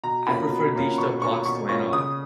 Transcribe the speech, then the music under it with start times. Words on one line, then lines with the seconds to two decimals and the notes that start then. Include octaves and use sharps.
I prefer digital clocks to analog.
0.03 B2 A#5
0.27 A#3 C#4 F4 B5
0.51 B2
0.75 A#3 C#4 F4
0.98 B2 C#6
1.22 A#3 C#4 F4 C#6
1.45 B2 C#6
1.69 A#3 C#4 F4 C#6
1.93 C#3 D#6